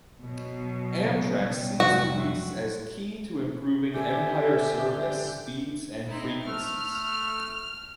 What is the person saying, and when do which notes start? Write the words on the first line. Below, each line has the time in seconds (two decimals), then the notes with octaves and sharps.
Amtrak sees the lease as key to improving "Empire Service" speeds and frequencies.
0.22 B2 F#3
1.02 C#3 C#4
1.36 G3 D#6
1.80 F1 B1 F#4
2.17 E5 C6 F#6
3.94 D3 G4 E5 G#5
6.08 C4 D#4 E4
6.44 A3 F6